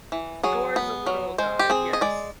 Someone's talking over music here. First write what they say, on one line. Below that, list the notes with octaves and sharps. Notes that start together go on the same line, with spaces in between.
Thor is a literal god, yes.
E3
F#3 G#4
B3
F#3
G#3 C5
G4
C4 G#4
D#5
G#3 D5